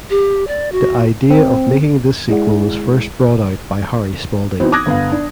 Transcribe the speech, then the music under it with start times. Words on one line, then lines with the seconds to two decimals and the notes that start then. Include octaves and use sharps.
The idea of making this sequel was first brought out by Harry Spalding.
0.10 G4
0.48 D5
0.72 F#4
1.30 C4
2.29 G#3 E4 G#4 D5 F#5
4.60 E3 B3 C4 D#4 F#4
4.72 D6 D#6 F#6 G#6 A#6
4.86 G1 B3 F5
5.12 D4